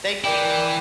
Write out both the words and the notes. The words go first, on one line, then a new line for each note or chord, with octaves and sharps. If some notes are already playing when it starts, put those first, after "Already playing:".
Thank you.
E3 E4 A#4 D5 G5